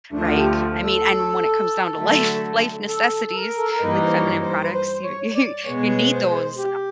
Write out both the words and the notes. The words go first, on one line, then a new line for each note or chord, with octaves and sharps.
right? I mean, and when it comes down to life life necessities, like feminine products, you you you need those.
D2 D3 F3 A3 D4
F#4
G4
A4
D3 F#3 A3
A4
A4
A#4
A4
A#4
G2 E3 G3 A#3 D#4 B4
C5
C#5
C5
B4
C5
C#5
C#5
D5
B2 G#3 B3 C#5
C5
G4